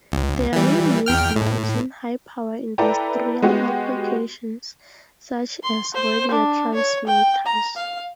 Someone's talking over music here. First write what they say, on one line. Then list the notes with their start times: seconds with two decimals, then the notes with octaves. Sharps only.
Their main use now is in high power industrial applications such as radio transmitters.
0.12 C#2
0.53 E3 G3
1.06 E2 G5 F6
1.36 A2
2.78 E4 A4 B4 D5 G5 A#5
3.42 G#3 B3 F#4 G4
5.63 C6
5.94 C5
6.31 D4
6.74 C#5
7.07 G5
7.46 A#5
7.76 F5